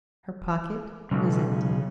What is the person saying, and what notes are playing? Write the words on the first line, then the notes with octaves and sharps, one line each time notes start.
Her pocket was empty!
B1 C#3 G#3
C#3